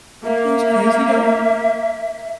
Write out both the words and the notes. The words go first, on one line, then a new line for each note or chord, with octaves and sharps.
You know, it's crazy though?
A#3 E5